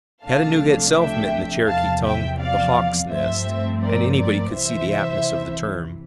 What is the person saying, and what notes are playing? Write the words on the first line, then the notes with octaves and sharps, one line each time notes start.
Chattanooga itself meant in the Cherokee tongue "the hawk's nest," and anybody could see the aptness of the term.
C2 C3 F3 A3 D4 F5 A5
E5 G5
E2 C3 F3 F5 A5
E5 G5
D5 F5
G2 F3 A3 C4 C5 E5
A#4 D5
A#4 D5
C2 C3 E3 C5 E5